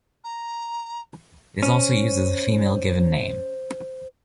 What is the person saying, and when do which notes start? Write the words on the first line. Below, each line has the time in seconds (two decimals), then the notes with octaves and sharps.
It is also used as a female given name.
0.24 A#5
1.63 C#4 C5